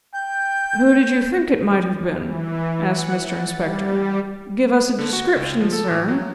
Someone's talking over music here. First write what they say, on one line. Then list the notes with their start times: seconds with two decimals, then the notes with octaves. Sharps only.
'Who did you think it might have been?' asked Mr Inspector. 'Give us a description, sir.
0.14 G5 G6
2.22 E3
2.81 F#5
3.25 A6
3.56 G3
4.98 D3
5.13 F#4
5.36 C#2
5.61 F3
5.73 A4
5.91 A2
6.08 F#3